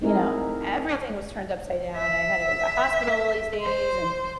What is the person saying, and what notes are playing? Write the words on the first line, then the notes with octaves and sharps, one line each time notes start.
you know, e everything was turned upside down, I had to go to the hospital these days and
A3 C4 D#4 E4 G#4 A#4
E5
C5